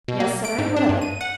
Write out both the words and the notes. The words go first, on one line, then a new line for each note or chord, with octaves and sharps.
"Yes!" said I. "What of it?"
B2
A#3
D7
G#2
D4
G2
D#7
F#5